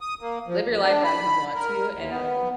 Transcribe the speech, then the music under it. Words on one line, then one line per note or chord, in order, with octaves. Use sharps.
live your life as you want to and
D#6
A#3
F3
D2
D4
B5
A#4
D#2
B3